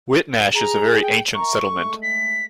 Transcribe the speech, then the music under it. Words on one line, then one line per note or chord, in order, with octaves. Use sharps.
Whitnash is a very ancient settlement.
G#4 A#5
G5
A#4 E5 A#5 C#6
G#3 A3
B6